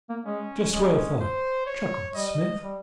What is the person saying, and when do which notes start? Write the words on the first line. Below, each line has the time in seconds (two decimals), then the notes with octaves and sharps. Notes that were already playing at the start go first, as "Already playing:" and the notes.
"Just what I thought!" chuckled Smith.
0.10 A#3
0.25 G#3 C#4
0.72 G#3 C#4
1.20 C5
1.67 C#5
2.15 G3 D#5
2.62 G3